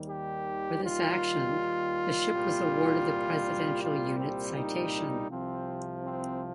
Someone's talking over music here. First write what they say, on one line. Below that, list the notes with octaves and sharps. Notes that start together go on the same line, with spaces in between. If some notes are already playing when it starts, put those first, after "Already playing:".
For this action, the ship was awarded the Presidential Unit Citation.
Already playing: D#2 D#3 G3
G4
F4
C2 A#2 G3
F4
C4
D#4
C2 C3 F3 C4
C4